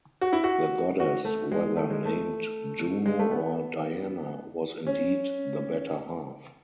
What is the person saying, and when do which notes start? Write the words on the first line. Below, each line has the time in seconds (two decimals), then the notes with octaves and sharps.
The goddess, whether named Juno or Diana, was indeed the better half.
0.21 F#4
0.33 E4
0.44 F#4
1.00 F#4
1.25 A3
1.52 G#3
1.76 A3
1.90 G#3
2.05 A3
3.06 G#3
3.19 A3
3.31 B3
4.87 C#4